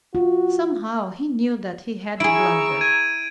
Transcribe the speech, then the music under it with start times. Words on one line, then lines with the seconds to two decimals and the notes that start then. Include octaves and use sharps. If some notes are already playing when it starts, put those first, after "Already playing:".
Somehow he knew that he had blundered.
0.15 F4 F#4
2.20 E4 G#4 A#5 C#6 E6 D7
2.81 G#6 D#7